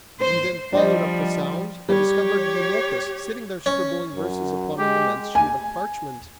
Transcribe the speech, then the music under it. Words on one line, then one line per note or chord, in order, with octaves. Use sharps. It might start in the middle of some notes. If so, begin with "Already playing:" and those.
We then followed up the sound and discovered Eumolpus, sitting there scribbling verses upon an immense sheet of parchment!
C5
F3 G3 D4 C5 D#5
G3 G4 C#5
C#4
F#2
G#3 G4
G#5